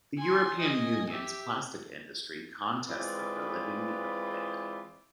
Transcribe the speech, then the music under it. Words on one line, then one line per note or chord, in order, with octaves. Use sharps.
The European Union's plastic industry contests the validity of the ban.
G#5 C6
D#5 G#5
G4 E5
E3 G#3 C4 F4 B4 D5